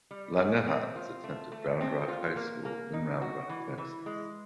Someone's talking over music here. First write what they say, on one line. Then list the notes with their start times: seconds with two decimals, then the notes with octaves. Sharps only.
Langerhans attended Round Rock High School in Round Rock, Texas.
0.11 G3
0.39 G#4
0.67 C4
0.96 F4
1.24 A3
1.52 A3
1.81 C4
2.08 F4
2.36 A#3
2.65 A#3
2.93 D#4
3.22 F#4
3.49 E3
3.78 E3
4.06 G#3